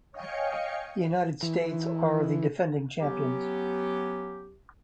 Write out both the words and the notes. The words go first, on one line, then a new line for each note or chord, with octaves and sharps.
The United States are the defending champions.
C#5 D#5 F5 G5 G#5 C#7
E3
F#3 B3 C#4 G4